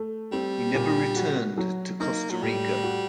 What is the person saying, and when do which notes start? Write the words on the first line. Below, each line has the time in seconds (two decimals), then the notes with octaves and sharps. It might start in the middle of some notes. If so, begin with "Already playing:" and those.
He never returned to Costa Rica.
Already playing: A3
0.32 G3 C4
0.75 A#2
1.16 F#4
1.58 F#3
2.00 A#3 D#4
2.30 F#3
2.43 A2 G3
2.83 F#4